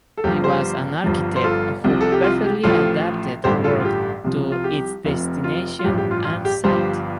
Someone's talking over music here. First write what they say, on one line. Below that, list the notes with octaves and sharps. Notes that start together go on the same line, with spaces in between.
He was an architect who perfectly adapted the work to its destination and site.
A4
G1 G2 F3 G4
G4 C5
G1 G2 F3
C5
F4 A4
C2 C3 F3
A4
G4
F4
G4
A1 A2 F3 F4 A4
A1 G2 D3 G4 C5
F4 A4
F4
G4
C2 C3 F3
F4
G4
F1 F2 C3
F4
F4
A1 G2 F3 G4
G4
F4
F4
G4
G1 G2 F3 G4 C5